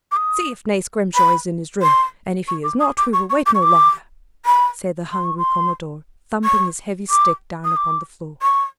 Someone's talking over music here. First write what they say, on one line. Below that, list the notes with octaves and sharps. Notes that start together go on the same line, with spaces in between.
"See if Nace Grimshaw is in his room, and if he is not, we will wait no longer!" said the hungry commodore, thumping his heavy stick down upon the floor.
D6
D#6
B5
C6
C#6
D6
D#6
D6
C#6
C#6
D6
C#6
D6
B5
C6
C#6
C6
C#6
D6
D#6
D6
C#6